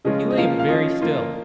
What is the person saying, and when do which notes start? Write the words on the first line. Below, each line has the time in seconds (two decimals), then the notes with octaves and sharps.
He lay very still.
0.05 C#3 F3 G#3 C#4 F4 D#5
0.31 D#5
0.37 F3 A#3 C#4 F4 F5
0.59 F5
0.69 F3 C#4 F4 D#5
1.02 F3 A#3 F4